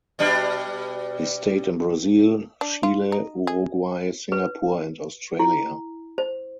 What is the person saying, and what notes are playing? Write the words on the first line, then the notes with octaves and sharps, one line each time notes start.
He stayed in Brazil, Chile, Uruguay, Singapore and Australia.
B2 G3 D4
D4
F4
D#4
G#4
B4
E4
C5